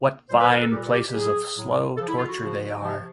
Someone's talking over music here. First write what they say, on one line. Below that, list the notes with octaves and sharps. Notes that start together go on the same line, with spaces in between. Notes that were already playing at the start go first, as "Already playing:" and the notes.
What fine places of slow torture they are!
A#2 G3 C5
B4
A#4
A4
A#2 G3 G4
G4
A2 F#3 G#4
A2 F#3
C#3 F3 A4
E4
F4
F#4
C#3 F3
C3 F3